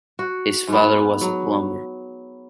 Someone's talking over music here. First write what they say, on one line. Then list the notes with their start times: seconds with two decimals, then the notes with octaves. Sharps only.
His father was a plumber.
0.19 F#4
0.68 G#2 B3
1.21 F#3